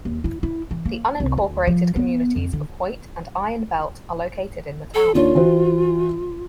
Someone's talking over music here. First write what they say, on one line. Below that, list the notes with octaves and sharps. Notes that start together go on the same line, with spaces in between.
The unincorporated communities of Hoyt and Iron Belt are located in the town.
D#2
E4
E4
E3
A#3
C2
D2
F3
B3
F2
D3
A4
D#2 D4 F4 C#5
E3 F#4 C5